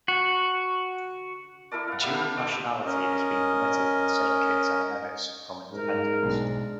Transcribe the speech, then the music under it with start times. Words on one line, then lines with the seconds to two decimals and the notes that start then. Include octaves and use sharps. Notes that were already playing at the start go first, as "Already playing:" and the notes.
Dual nationality has been permitted in Saint Kitts and Nevis from independence.
0.08 F#4
1.71 E4 A4 A#4 D5
1.88 F5 F#5
2.01 B3 G4 E5 B5
2.14 F5
2.37 A4 C5 D5
2.85 C#4 A#4 D#5
5.72 G#2 A#4
6.23 B1 G#3 D4